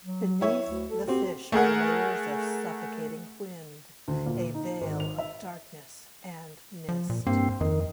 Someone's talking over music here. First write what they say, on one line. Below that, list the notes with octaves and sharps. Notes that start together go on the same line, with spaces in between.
Beneath the fish are layers of suffocating wind, a veil of darkness, and mist.
F#3
E4 C#5 E5
D2
A4
C4 F#4 G4
A3 G#4 A#4 F#5
D2
A#2
D#4
G#1
F7
E5
F3
A#2
G2 A#3 C4
F2 D#3